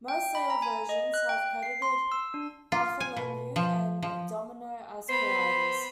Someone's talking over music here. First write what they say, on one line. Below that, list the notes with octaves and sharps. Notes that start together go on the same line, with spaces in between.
Most later versions have credited Bartholomew and Domino as co-writers.
G5
B5
A#5
G#5
D#5
F#6
G5
C7
C6
E6
D4
F4
G#5
B2
F3
F3
B3 C5 B5